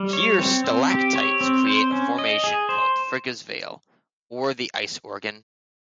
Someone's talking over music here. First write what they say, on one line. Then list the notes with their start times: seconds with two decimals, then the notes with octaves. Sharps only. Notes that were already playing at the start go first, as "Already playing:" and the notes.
Here stalactites create a formation called Frigga's Veil, or the Ice Organ.
Already playing: G3
0.13 C#5
0.38 C4
0.64 C4
0.90 G4
1.15 C#5
1.41 C4
1.67 C5
1.92 C#4
2.19 D#5
2.44 G#4
2.69 C5